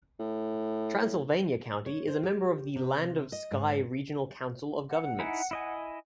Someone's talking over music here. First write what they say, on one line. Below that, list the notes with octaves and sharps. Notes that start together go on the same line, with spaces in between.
Transylvania County is a member of the Land-of-Sky Regional Council of governments.
A2
C#5
C5
G4
C3
D#5
G#2
F#5
D#4 E4 G#5
E4 D#5 G#5